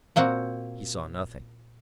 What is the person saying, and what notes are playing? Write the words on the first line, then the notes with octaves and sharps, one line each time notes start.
He saw nothing.
A#2 A#3 C4 F#4